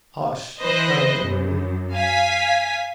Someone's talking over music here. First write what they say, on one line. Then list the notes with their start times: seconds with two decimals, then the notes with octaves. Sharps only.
"Hush!" cried Uncle Wiggily.
0.59 E3 B4 C5 D#5
1.20 F#2
1.93 F5 G#5 B6